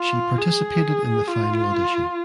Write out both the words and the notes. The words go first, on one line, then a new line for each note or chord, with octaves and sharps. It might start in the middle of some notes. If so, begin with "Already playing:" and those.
She participated in the final audition.
Already playing: F4
G#4
F4